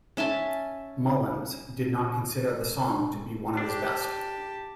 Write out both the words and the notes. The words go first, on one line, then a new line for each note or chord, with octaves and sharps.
Mullins did not consider the song to be one of his best.
C#4 E5 G#5 A5
D4 G4 A5